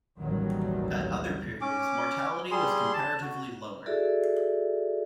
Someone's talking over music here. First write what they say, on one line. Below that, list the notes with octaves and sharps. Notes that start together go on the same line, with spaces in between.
At other periods, mortality was comparatively lower.
A1 D#2 B2 D#3 F#3 G3
C#4 D6
G3 G#4 C6
A5
F#4
E4 F#4 G#4 A4 D5 E5